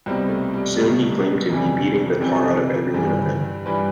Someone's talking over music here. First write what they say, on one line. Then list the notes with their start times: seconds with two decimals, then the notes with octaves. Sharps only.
Soon he claimed to be beating the tar out of every one of them.
0.06 C2 B2 G3 C4
0.29 A3
0.54 G3
0.78 C2 B2 G3 A3
1.50 F2 C3 E3 G3
2.21 F2 C3 E3 G3 C4
2.94 G2 E3 G3
3.66 G2 E3 G3 B4